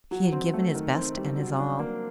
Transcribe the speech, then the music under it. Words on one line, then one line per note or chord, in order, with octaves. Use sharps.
He had given his best and his all.
F#3
C4
A3
D#3
C4
G3
F#3
D4
A#3